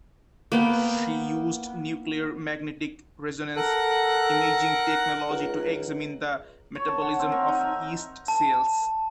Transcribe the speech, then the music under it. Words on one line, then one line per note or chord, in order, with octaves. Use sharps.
She used nuclear magnetic resonance imaging technology to examine the metabolism of yeast cells.
A#3 B3 G5
A4 A#4 F#5 F#6
C#2
C#5
A5
F#5
C4
A#4
D#4
E5
A5